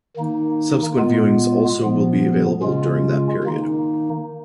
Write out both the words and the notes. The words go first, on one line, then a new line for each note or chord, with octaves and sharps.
Subsequent viewings also will be available during that period.
D#3 A#3 D#4
A#2 G#3 B3 F4
A#2 F3 B3
C#3 G#3 C#4 F4
D#3 A#3 D#4